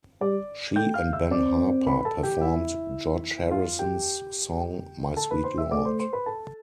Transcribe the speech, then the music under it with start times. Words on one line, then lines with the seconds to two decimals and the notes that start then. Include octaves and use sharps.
She and Ben Harper performed George Harrison's song My Sweet Lord.
0.21 G3 D5 D6
0.76 A3 G5 G6
0.94 F5 F6
1.13 E5 E6
1.31 C4 D5 D6
1.86 B4 B5
2.00 B5
2.05 A4 A5
2.23 G4 G5
2.41 E4 E5
3.51 F4 F5
3.79 G4 G5
5.16 A4 A5
5.31 B4 B5
5.44 C5 C6
5.58 E5 E6
5.71 A3 D5 D6
5.85 C5 C6
5.99 C5 C6
6.13 B4 B5
6.26 A4 A5